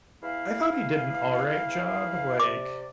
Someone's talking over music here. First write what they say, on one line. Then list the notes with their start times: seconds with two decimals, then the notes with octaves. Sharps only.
I thought he did an all right job. Like,
0.23 E2 E4 F5
2.40 C3 D5 D6